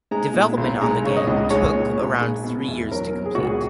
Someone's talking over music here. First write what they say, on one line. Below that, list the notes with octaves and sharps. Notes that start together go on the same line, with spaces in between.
Development on the game took around three years to complete.
G#3 A#5
A#2
B1
G#3 A#5
C#3 C#5
D#5
C#2
G#3 C#5
A#2
A#1
G#3
B2
E2
F#3 A#4
B2
G#4
C#2 F#4
G#4